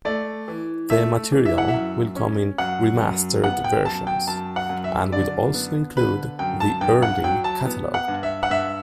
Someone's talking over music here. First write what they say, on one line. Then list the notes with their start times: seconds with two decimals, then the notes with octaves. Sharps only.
The material will come in remastered versions and will also include the early catalogue.
0.05 A3 D5
0.48 E3
0.90 A3 E5
1.32 E3
1.46 E5
1.58 F#5
1.68 E5
1.74 F#2
2.16 C#4
2.58 F#2 F#5
3.01 F#2
3.43 B3 F#5
3.64 G5
3.85 F#2 A5
4.07 G5
4.27 F#2 A5
4.56 F#5
4.69 F#2
4.84 E5
5.12 D3 D5
5.54 B3
5.97 D3 B4
6.39 F#2 G5
6.60 A5
6.81 G2 G5
7.02 F#5
7.24 F#3 G5
7.44 A5
7.66 B3
7.94 F#5
8.08 G2
8.23 E5
8.43 F#5
8.50 G2 E5